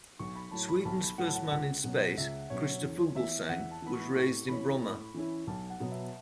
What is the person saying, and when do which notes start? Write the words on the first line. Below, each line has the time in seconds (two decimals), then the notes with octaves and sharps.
Sweden's first man in space, Christer Fuglesang, was raised in Bromma.
0.19 B1 C#6
0.36 B5
0.51 A2 F#3 A5
0.69 B5
0.85 B1 A5
1.18 A2 F#3 F#5
1.27 A5
1.36 F#5
1.45 A5
1.51 C#2 F#5
1.84 B2 F#3 C#4
2.17 C#2 E5
2.50 B2 F#3 C#4 C#5
2.83 E2 C#5
3.16 E3 B3 E5
3.49 E2 F#5
3.71 A5
3.82 E3 B3 B5
3.93 C#6
4.15 A2 C#6
4.48 E3 C#4 E4 B5
4.81 A2
5.14 E3 C#4 E4
5.47 B1 A5
5.70 F#5
5.80 B2 F#3 B3
5.92 E5